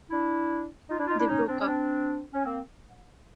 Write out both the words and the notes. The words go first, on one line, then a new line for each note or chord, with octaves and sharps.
They broke up.
D4 E4
D#4 F4
D4 E4
D#4 F4
D4 E4
C#4 D#4
C4 D4
C#4
C4 D4
C#4
A#3 C4